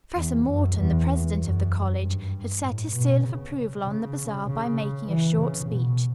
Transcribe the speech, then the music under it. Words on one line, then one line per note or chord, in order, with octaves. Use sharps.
Professor Morton, the president of the college, had set his seal of approval on the bazaar by making a short speech.
E2
F#2
E2
F#2
G2
A2
B2
C#3
C#3
C#3
E3
C#3
B2